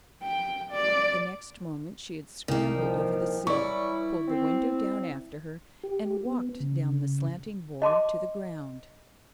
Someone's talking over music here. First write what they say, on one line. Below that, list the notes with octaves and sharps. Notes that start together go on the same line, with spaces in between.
The next moment she had scrambled over the sill, pulled the window down after her, and walked down the slanting board to the ground.
G5
D5
C2 D#3 A#3
A#2 F3
E3 F#3 G3 E4 D5 C#6
C4
G4
B3
C#3
D#5 A5 C6 D6